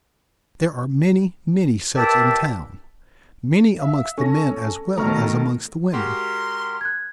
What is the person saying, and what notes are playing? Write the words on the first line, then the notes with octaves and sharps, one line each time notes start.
There are many, many such in town; many amongst the men as well as amongst the women.
G4 A#4 B4 D5 E5 A5
E5 F5
C#4 A4 A#6
B2 D#3 A3 A4 A#5 C#6 F6
G#3 F#4 G4 A#4 C6
F#6 G#6